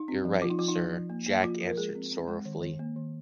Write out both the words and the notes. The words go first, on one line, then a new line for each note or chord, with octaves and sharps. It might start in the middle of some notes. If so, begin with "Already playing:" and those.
You’re right Sir, Jack answered sorrowfully.
Already playing: D#4
C4
F3
F3 F4
D#4
F3 F4
D#4
F3
F3
A#3
A#3
F3 F4
F3
A#4
G#3 G#4
C4
C4
G#3
D#3
D#3
A#3
D#3